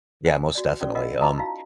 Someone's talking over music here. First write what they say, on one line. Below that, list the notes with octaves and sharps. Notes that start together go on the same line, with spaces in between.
yeah, most definitely, um
C5 F#5 G#5
F#4 D5
C#4 F#4 A4 D5
F4 A4 A#4 D#5 F5 F#5
F4 F#4 B4 D#5 A5 A#5
D#4 E4 F#4 F5